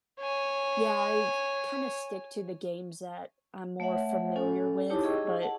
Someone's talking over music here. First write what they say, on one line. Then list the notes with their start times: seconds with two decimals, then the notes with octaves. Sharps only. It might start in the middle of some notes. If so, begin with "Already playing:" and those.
yeah, I kinda stick to the games that I'm more familiar with, but
0.21 C#5 G#5
3.80 A3 C#5 E5 F#5
4.36 C#4 A4 G#5
4.90 D#4 E4 G4 C#5 A5 D6
5.03 G#4 D#5 G5 C#6 E6
5.42 F#5 A5